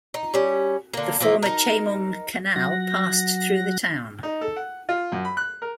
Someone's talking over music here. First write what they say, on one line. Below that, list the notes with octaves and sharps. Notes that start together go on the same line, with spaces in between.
The former Chemung Canal passed through the town.
D#4
G3 C#4
D3 A#3
E3 F3 A#3
D#4 A#4
F#3 F#5 A#6
D#4
A4
F#5
F4
F#2
B5
F#6
A#4